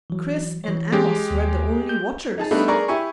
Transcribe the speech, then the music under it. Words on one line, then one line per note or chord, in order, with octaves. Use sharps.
Chris and Amos were the only watchers.
E3 F#3
E3 C#5
G#3 G4
D#2
G6
D#4 G#4 A5
G3 A3 B3 D4 D#4 A4
G#4 A#4 D5 A#5 C#6
E4 G4 G#5 C#6